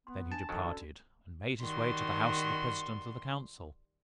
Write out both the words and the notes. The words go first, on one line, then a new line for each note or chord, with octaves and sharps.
Then he departed, and made his way to the house of the President of the Council.
B3 C6
D4 A5
F2 D#3 F#3 A4
C#4 F#4 D5
D#3 G3 F#4 C6